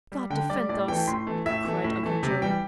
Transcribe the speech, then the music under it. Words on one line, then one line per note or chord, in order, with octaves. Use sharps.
"God defend us!" cried Uncle Joe.
G3
D3 G5
G3 D5
A2 D5
E3 A3 G5
A2 C6
E3 A3
A2 E5
E3 A3
A2
E3 A3
C3
E3 G3 G5